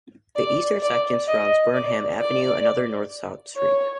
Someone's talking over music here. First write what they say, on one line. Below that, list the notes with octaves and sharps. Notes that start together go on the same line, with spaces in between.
The eastern section surrounds Burnham Avenue, another north-south street.
D5
D5
D#5
D5
D5
C#5